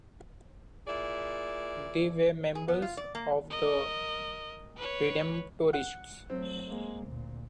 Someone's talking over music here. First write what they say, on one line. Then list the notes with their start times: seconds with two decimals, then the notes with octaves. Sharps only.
They were members of the Redemptorists.
0.87 A#2 E4 G#4 D5
2.55 G#4
2.68 B3
2.82 F4
2.97 D5
3.15 A#3
3.50 A#4 D#5
4.77 B4 C#5
5.73 F#5
6.30 F#3 A3 C4
6.66 G#3 A#3
7.07 D2 A#2